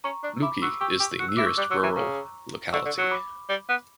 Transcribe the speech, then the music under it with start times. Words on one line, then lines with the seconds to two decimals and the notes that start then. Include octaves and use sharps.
Luki is the nearest rural locality.
0.04 C#4 A#5 C#6
0.23 D4
0.42 E4 B5 D6
0.62 F#4 C#6 E6
0.81 G4 C#6 E6
1.00 G4
1.19 F#4 F#6
1.28 E6
1.37 E4 D6
1.46 C#6 E6
1.57 G3 D6 F#6
1.71 F#3 C#6 E6
1.83 E3 A#5 C#6
1.96 C#3 A#5 C#6
2.73 D3 C#6 E6
2.85 D3
2.98 F#3 C#6
3.11 B5 D6
3.49 G3
3.69 B3